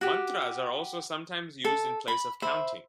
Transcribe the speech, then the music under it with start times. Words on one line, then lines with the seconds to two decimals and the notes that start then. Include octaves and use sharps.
Mantras are also sometimes used in place of counting.
0.01 F#4 G4
1.65 A4
2.08 B5
2.42 C5 E5 B5